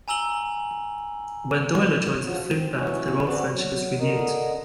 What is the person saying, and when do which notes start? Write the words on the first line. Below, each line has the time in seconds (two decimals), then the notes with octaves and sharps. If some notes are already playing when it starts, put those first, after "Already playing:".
When Doyler joins the flute band, their old friendship is renewed.
0.08 G#5 A#5 E6 F#7 G7
2.22 F3 F#3
2.45 C4
2.72 E3 F#3 C#4
3.24 C4 F#4 D5
3.49 F#3
4.00 D3 A#4 D#5